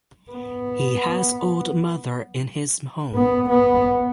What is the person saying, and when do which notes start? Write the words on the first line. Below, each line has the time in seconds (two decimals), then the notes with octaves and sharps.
He has old mother in his home.
0.32 B3
3.15 B3
3.50 B3